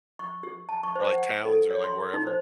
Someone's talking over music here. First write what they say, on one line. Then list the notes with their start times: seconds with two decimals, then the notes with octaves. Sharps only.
or, like, towns or, like, wherever,
0.19 C#6
0.43 G4
0.69 A5
0.83 C#6
0.96 C5
1.13 F#5
1.45 A4
1.70 C#5
1.84 C6
2.14 D#4
2.27 C5